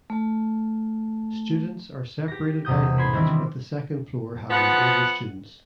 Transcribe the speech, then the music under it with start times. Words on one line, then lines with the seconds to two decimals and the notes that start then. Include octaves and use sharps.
Students are separated by age with the second floor having older students.
0.10 A3 A5
2.28 G4 A#6
2.65 E1 C3 D#6 G6
2.98 B5 C6 G#6
3.13 D#3 E3 G3 C4 D4 E4
4.51 F3 B3 F#5